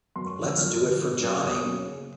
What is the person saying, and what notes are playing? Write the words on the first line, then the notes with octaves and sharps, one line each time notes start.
Let's Do It for Johnny!!
F#2 C6
C#6
D3 F3
E6
F#2 F6
D3 F3
B2
F#3 A#3 C#4
B2 D#6
F#3 A#3 C#4
C#3